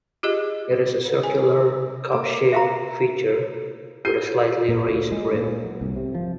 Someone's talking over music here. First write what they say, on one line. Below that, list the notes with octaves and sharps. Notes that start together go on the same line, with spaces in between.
It is a circular, cup-shaped feature with a slightly raised rim.
F4 G4 G#4 D#5
G#5
A#3 D6
E5 F5 A#5
G6 C7 D#7
A#2
D2
G#3
A#2
F#3
C2
C3
F3